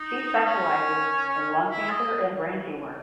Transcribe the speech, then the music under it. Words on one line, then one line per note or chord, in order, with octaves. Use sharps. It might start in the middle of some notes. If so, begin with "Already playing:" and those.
She specializes in lung cancer and brain tumors.
Already playing: D#4
C#4
C#4
E4
D#5